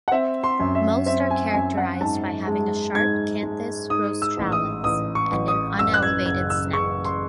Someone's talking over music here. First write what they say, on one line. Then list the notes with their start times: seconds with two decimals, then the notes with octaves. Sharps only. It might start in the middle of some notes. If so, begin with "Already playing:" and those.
Most are characterized by having a sharp "canthus rostralis" and an unelevated snout.
0.08 F#5
0.11 C4 E5
0.44 C6
0.60 F#2
0.75 E5
1.06 C4 E5
1.30 G#5
1.54 F#2 G#5
1.77 F#5
2.00 G#2 A5
2.47 G#3
2.95 G#2 G#6
3.43 G#3
3.90 G#2 D#6
4.22 E6
4.37 A1
4.52 D#6
4.84 A1 D#6
5.15 C#6
5.31 A1
5.48 D#6
5.79 F#2 E6
5.94 F#6
6.02 G#6
6.26 F#1 G#6
6.50 E6
6.73 C#3 C#6
7.05 C6